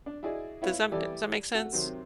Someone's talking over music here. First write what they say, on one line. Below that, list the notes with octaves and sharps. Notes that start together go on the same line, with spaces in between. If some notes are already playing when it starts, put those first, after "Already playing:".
Does that does that make sense?
D4
E4 F#4 G#4 D5 D#5
E4 F4 B4 C#5 F5
E3 G3 G4 A4 D5
A3 F#4 F#5
C3 D#3 F#3 C4